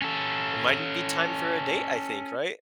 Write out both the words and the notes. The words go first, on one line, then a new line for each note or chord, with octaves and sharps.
it mightn't be time for a date, I think. Right?
C#4 A4